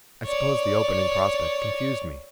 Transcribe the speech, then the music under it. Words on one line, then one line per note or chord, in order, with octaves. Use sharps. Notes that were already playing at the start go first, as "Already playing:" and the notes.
I suppose the opening prospect confused me.
C#5 D5